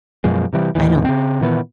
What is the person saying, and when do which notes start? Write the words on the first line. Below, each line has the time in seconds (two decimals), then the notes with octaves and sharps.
I don't
0.24 F#2 B2 F3 G#3
0.53 C3 E3 G3
0.75 D#2 A2 D#3 E3
1.05 C#3 C4
1.41 A#2 D#3 E3 B3